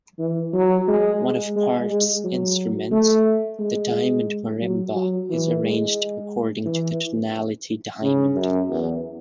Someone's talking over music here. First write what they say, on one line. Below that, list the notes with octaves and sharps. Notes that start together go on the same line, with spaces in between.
One of Partch's instruments, the diamond marimba, is arranged according to the tonality diamond.
E3
F#3
G#3
G#3
G#3
G#3
F#3
A3
G#3
F#3
F#3
E3
G#3
E3
C#3
F#2
E2